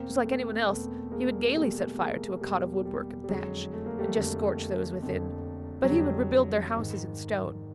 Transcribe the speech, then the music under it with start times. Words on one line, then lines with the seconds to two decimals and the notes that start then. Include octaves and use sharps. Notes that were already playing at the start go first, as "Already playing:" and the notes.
Just like any one else, he would gaily set fire to a cot of woodwork and thatch, and just scorch those within; but he would rebuild their houses in stone.
Already playing: E2 B2 A#3 C4
0.24 A3 B3
0.68 E2 B2 A3 B3
1.12 G#3 A#3
1.45 G#3
1.55 E2 B2 G3 A3
1.98 G#3 A#3
2.41 E2 B2 G3
2.85 G3
3.24 G3
3.29 F2 D3 F#3 G#3
3.73 A3
3.86 A#3
3.99 G3 A3
4.16 F2 D3
5.02 F2 D3
5.84 F#3
5.89 F2 D3 G3
6.77 G#2 D#3